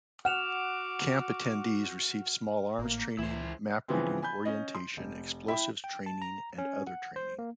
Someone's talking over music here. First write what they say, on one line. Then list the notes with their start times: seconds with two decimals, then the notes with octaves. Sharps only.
Camp attendees received small-arms training, map-reading, orientation, explosives training, and other training.
0.25 F#4 F#5 D6 F6 E7 F7
2.79 G#1 A2 A#3
3.19 C#2 E3 E4 C5
3.88 C#3 E3 F3 B3 C4
4.22 G#5 B5 G6
4.45 C#4 D#5
4.75 C6
4.97 F1
5.48 E4 E5 G5 B5
5.84 G5
6.06 A5
6.22 A#5
6.58 C#4
6.87 F#5
7.16 C5
7.39 A#3